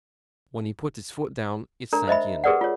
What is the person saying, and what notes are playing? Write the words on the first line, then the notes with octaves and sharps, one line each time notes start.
When he put his foot down it sank in.
D4 A#4 A#5
C5 D#5 E5 B5
G4 G#4 A#4 B4 D5 F#5
F4 C#5